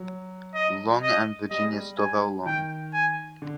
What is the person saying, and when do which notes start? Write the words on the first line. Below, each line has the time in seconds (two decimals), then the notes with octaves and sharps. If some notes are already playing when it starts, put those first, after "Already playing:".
Long and Virginia Stovall Long.
Already playing: F#3
0.55 D#5
1.03 D#5
1.51 G3 D#5
1.62 G#3
1.72 G3
1.98 G#5
2.46 D#3 G5
2.93 G#5
3.42 D3